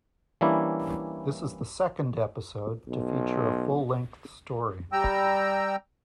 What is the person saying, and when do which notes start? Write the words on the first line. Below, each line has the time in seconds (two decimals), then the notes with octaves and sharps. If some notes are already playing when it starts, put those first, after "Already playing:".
This is the second episode to feature a full length story.
0.41 E3 G3 A#3 C#4 D4 E4
2.88 B1
4.92 G3 G5 A#5 E6